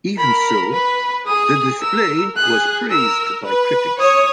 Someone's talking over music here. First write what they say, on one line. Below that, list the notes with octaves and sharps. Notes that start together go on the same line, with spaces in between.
Even so, the display was praised by critics.
A#4 B5
B4 B5
G#4 D#6
A#4 E6
G#4 F#6
A#4 E6
B4
C#5 D#6